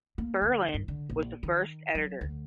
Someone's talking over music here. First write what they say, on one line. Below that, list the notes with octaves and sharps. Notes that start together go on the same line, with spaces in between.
Berlin was the first editor.
A#3
D2
G2
D3
A#1
D#3
F#3
D2